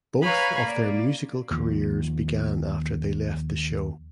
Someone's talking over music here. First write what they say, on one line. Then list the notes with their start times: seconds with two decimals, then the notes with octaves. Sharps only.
Both of their musical careers began after they left the show.
0.22 B4 C#5 F5 G#5 A#5 B5
0.66 A#3 D5
1.51 D#2 F3